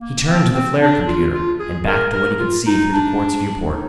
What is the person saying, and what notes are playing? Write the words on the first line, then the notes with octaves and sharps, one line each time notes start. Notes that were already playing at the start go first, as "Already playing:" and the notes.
He turned to the flare computer and back to what he could see through the quartz viewport.
A#3
C4
C4
D4
F4
F4
G#4
A#4
A#4
F4
D#4
D4
D#4